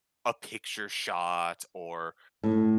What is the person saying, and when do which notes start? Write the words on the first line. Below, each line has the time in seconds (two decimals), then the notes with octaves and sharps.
a picture shot or,
2.43 A2